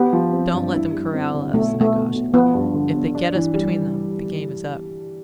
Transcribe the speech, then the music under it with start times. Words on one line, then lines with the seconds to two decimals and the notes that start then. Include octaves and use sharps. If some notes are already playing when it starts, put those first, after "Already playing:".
"Don't let them corral us," I cautioned; "if they get us between them, the game is up."
Already playing: B3 G4
0.13 F3
0.33 C4
0.53 G2
0.74 E4
0.93 G3
1.14 C4
1.34 D3
1.53 B1 A3
1.73 B2
1.81 A3
1.94 B3
2.14 B1
2.34 F3 B3
2.54 G2
2.74 D3
2.94 G1
3.15 D4
3.35 E3
3.54 G3